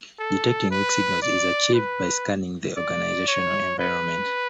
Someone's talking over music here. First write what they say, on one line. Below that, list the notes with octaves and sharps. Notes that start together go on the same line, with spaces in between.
Detecting weak signals is achieved by scanning the organizational environment.
A4
B4
D5
B4
D5
C#5
B4